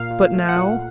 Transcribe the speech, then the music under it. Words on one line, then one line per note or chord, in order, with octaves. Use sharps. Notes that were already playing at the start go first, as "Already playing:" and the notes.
But now?
Already playing: A#2 F5
A#2
A3
F#5
A#2